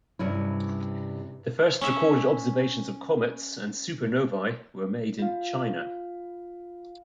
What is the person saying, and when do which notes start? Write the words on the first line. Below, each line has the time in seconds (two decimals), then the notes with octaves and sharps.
The first recorded observations of comets and supernovae were made in China.
0.19 G2 C3 C#4 E4
1.81 C#4 E5
5.19 F4 F5